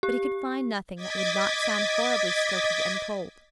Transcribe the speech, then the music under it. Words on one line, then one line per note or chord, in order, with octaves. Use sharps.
But he could find nothing that would not sound horribly stilted and cold.
G4
D#5 D6 G#6 A6 B6